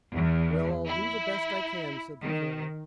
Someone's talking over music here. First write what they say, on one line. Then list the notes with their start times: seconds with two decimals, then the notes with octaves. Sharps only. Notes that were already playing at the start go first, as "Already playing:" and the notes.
"Well I'll do the best I can," said the colonel.
0.14 E2
0.87 E4
2.23 D#3